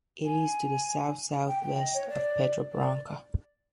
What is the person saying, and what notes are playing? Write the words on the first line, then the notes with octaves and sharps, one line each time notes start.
It is to the south-south-west of Pedra Branca.
G#5
G5
G5
D#5
C#5
D5
D5